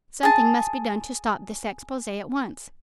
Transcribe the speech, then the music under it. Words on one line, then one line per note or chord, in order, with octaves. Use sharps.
Something must be done to stop this expose at once.
G#4 A5